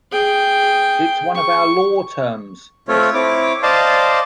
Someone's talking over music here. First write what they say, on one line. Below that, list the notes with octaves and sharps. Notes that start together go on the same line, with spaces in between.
It's one of our law terms, miss.
G#4 G5
C#6
A3 C4 F4 C#5
C4 E4 C#5 D6
C5 D5 D#5 F5 A5